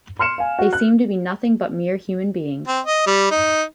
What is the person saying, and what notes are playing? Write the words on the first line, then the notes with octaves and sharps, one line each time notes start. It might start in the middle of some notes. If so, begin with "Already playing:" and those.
They seem to be nothing but mere human beings.
C6 F6 C#7 E7
F5 G#5
F#4
F#6
C4
D#5
G3
D#4